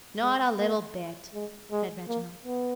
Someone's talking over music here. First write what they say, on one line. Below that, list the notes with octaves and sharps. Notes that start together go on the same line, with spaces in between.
'Not a little bit,' said Reginald.
G#3
A#3
G#3
G#3
A#3
B3